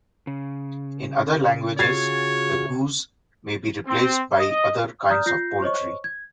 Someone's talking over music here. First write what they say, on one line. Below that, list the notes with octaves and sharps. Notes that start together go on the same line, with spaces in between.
In other languages, the "goose" may be replaced by other kinds of poultry.
C#3
F4 F#4 G#4 C#5 G#6 A6 C7
C4
D#5
D5 A#5 D#6 F6 G6
F4 G6 A#6 C7
C5 C#5 D#5 C#6
G#6